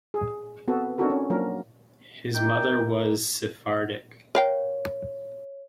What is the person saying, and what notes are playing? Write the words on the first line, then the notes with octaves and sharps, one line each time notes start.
His mother was Sephardic.
G#4
B3 C4 F#4 A4 B4
C4 D4 D#4 F#4 A4 A#4
C#4
F3 F#3 A#3 D4 A#4
D#3 E5 G5 D6
A#4 C#5 F5 G5